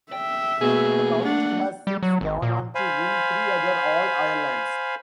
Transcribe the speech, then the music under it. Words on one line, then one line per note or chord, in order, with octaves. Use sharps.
The county has since gone on to win three other All-Irelands.
E5 G5
B2 A3 A#3 G#4
D4 F#5
G3
F#3
G#1
A#2
C5 F5 G#5 B5